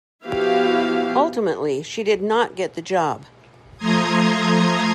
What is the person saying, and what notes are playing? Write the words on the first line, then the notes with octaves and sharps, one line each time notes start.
Ultimately, she did not get the job.
F3 B3 E4 F#4 G4 F5
F3 A3 A#5 C6 D#6 G#6